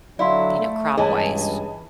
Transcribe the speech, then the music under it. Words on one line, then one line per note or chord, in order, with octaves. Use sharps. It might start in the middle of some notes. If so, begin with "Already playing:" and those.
you know, crop-wise.
D3 F#3 E4 D5 F5 C6
A3
C#2 G2 E3 G#4 C#5 D#5 G#5 A5